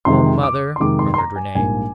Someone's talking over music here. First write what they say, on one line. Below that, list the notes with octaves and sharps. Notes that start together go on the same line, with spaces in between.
"O mother!" murmured Renee.
F2 C3 D#3 G#3 C6
D6
C6
F2 C3 D#3 G#3 D6
C6
C6
A#5
G#5
A#1 G#2 G3 A#3 G#5